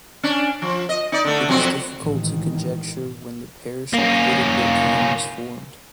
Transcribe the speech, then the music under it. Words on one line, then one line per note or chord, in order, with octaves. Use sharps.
It is difficult to conjecture when the parish of Little Bookham was formed.
C#4 D4
F3
D#5
D#4 D5
D3 A3
F2 F#3 C4
A1 G#2 D#3
A#3 C#4